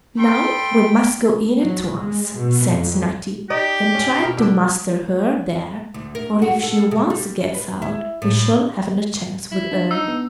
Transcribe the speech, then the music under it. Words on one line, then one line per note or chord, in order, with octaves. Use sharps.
'Now we must go in at once,' said Snati, 'and try to master her there, for if she once gets out we shall have no chance with her.
G#3 A4 G5 B5 C6
F#3
G#3
B2
F2
D#4 G4 D5 D#5
C#4
B2 A#4
D3 D4
D2
A#4
F#4
A4
C#3
G3
B4
E4
A2
E4
D4
D#4 E6
B3